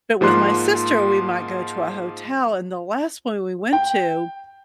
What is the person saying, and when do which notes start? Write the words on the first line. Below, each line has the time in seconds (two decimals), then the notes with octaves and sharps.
But with my sister, we might go to a hotel, and the last one we went to,
0.21 G#2 F3 A#3 C6 F#6
3.73 G5